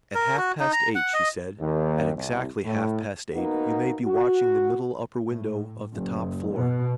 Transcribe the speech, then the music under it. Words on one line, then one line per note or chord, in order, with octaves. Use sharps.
At half-past eight,' she said, 'at exactly half-past eight you may be watching the middle upper window of the top floor.
A#4
F#4
D#4
A#5
F#5
D#5
D#2
C2
A2
B2 A#3 B3 D#4
F#4
A2
F#1
B2